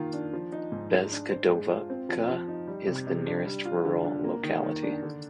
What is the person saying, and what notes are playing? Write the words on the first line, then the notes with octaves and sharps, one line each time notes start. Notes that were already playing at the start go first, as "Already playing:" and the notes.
Bezgodovka is the nearest rural locality.
Already playing: D#3 A#3 F4
D4
F3
D#4
G#2
G#3
D4
C5
G#3
F4
C4
F3
F3
D#4
G3
C3
C3
D4
G3
F4
D3
D4
A#3
D#3
D#3
D4
D3